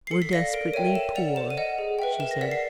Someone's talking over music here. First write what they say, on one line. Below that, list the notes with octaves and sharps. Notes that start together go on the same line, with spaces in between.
"Were desperately poor," she said.
C7
A4 C#7
B6
D5 F5 A#6
A#4 D7
C#5 E5 G5 D#7
A4 E7
D5 F#5 F7
C5 E7
D#7
D#5 F#5
G#4
B4 E5 G5
A#4 E7
A#6
D5 F#5 B6
C7